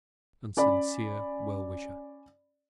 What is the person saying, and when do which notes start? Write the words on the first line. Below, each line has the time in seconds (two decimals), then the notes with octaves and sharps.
And sincere well-wisher.
0.57 C#4 D5 B5